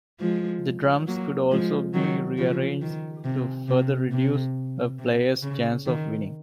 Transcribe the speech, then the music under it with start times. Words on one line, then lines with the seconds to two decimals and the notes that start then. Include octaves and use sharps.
The drums could also be rearranged to further reduce a player's chance of winning.
0.20 F3 G#3
1.07 F#3 A#3
1.51 F3 G#3
1.94 D#3 F#3
2.38 C#3 F3
2.81 D#3
3.25 C3
3.68 C3
4.12 C3
4.99 C3
5.42 C#3
5.86 D#3